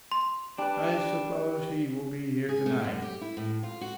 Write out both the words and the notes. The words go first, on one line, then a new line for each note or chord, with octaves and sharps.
"I suppose he will be here to-night?"
C6
G3 D4 B4
G#4
A3
F#2
G4
E4
A2
F4
F#4